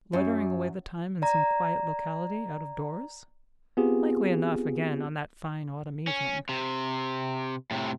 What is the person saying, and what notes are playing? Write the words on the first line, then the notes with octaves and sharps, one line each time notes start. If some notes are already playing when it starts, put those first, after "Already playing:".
Loitering away the time in some quiet locality, out-of-doors? Likely enough, again, on that fine autumn evening.
F#2
D5 A#5
B3 C4 F4 G4 G#4
C#4
C3
A2 C3